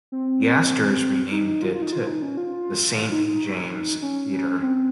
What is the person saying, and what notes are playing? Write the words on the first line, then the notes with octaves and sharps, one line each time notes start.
The Astors renamed it the Saint James Theatre.
C4
D#4
D#4
F4
F4
D#4
F4
D#4
C#4
F4
D#4
D#4
C#4
C4